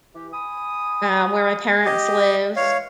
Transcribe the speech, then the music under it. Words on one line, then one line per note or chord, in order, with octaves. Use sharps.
um, where my parents live,
E3 G4
G#5 B5 D#6
G4 D#5
E3 G#3 C#5 F5